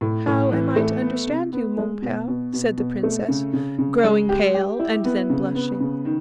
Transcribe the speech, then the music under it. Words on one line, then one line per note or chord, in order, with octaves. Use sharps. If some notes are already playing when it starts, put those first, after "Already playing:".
"How am I to understand you, mon pere?" said the princess, growing pale and then blushing.
A2
A2
E3
A3
B3
C3
B3
G#3
B2
B2
B2
B2
A3
C#3
C#3
C#3
G#3
G4
G4
E4
B3
C#3
B3
C#3
D#3